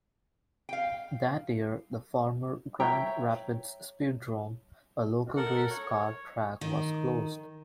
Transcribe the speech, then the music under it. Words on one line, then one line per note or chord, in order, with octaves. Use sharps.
That year, the former Grand Rapids Speedrome, a local race car track was closed.
F5 G5
C#5 E5 G5 A#5
A4 A#4 F#5
C#5
D#3